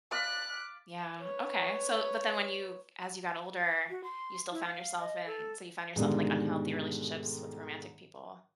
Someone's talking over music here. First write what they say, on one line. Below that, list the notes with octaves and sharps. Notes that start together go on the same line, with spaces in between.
Yeah, okay, so but then when you as you got older, you still found yourself in so you found yourself in, like, unhealthy relationships with romantic people
D5 F5 B5 F#6
B4 C#5
F#4
C6
E4
F5
D#5
A4
G#2 B2 D3 D#3 G3 G#3